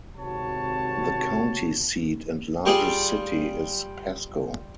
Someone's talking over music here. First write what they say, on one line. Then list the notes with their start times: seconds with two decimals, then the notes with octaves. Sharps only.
The county seat and largest city is Pasco.
0.17 G#1 C3 F#4 C#5 A5
2.66 G3 F4 G4 G#4 D5